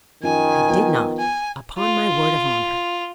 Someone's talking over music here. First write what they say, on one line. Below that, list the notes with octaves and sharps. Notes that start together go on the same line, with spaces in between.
"I did not; upon my word of honour."
F#2 D#3 F3 G#5
F3 B3
G#5
F4